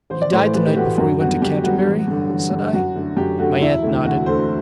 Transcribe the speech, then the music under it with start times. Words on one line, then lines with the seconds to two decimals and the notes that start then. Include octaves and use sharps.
'He died the night before we went to Canterbury?' said I. My aunt nodded.
0.10 A1 C5
0.22 D5
0.32 A2 E3 A3 C5
0.43 C5
0.54 A1 B4
0.65 G4
0.76 A2 E3 A3 F#4
0.98 F#2 F#4
1.20 D3 G3 B3 F#4
1.42 F#2 G4
1.64 D3 G3 B3 F#4
1.86 A1
2.08 G2 D3
2.30 A1
2.51 G2 D3
2.73 F#2 F#4
2.95 D3 A3
3.17 F#2 G4
3.39 D3 A3 F#4
3.61 E1 E4
3.83 D2 D3 A3 E4
4.05 E1 F#4
4.26 D2 D3 A3 C5